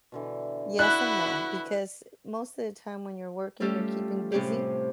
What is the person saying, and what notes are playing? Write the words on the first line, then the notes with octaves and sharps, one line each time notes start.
Yes and no, because most of the time when you're working, you're keeping busy,
B2 D3 E3
E4 F#4 B5 F#6
G3 A3 C#4 F4 G4 A4
A2 C3 C4 C#4 G4